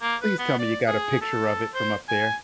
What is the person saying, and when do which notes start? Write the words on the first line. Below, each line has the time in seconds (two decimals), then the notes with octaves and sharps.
Please tell me you got a picture of it from up there.
0.02 A#3
0.22 B4
0.39 B3
0.59 D5
0.87 G#4
1.21 A4
1.74 C5
2.08 G#5